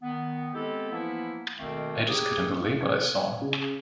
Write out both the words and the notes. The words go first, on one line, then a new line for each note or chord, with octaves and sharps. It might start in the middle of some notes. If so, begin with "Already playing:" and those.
I just couldn't believe what I saw.
D#3 B3
G#3 B3 C4 E4 G4 A4
E3 F3 A#3 B3 E4
F2 B2 D#3 A3 A#3 C4
A#3 G4 G#4
G#6
C#3